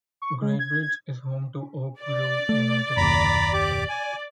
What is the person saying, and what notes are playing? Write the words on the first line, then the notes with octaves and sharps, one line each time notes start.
Great Bridge is home to Oak Grove United Methodist Church.
C#6
G#3
G#6
G#6
D5
A3
F#1 D#2 A#5 B5
G4 D6
G#5